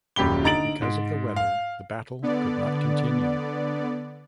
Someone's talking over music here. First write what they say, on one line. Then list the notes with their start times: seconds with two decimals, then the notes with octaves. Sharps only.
Because of the weather the battle could not continue.
0.16 D#1 F#2 G4 B5 G7
0.44 D3 D#4 A#5 A6 D7 F#7
0.82 G#2
1.36 F5
2.22 D3 B3 D5